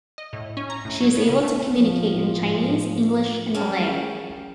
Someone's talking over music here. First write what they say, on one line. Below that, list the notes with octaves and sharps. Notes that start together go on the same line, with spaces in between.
She is able to communicate in Chinese, English, and Malay.
D#5
A2
C#4
A#5
A2
F#3
B3
C#3
A3
A2 F3
C#4 G#4 A#4 G5 A5